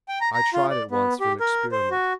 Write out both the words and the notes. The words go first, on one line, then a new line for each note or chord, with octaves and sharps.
I tried it once for an experiment.
G5
A#5
A#5
F4
D5
B3
G4
A#4
C5
F#4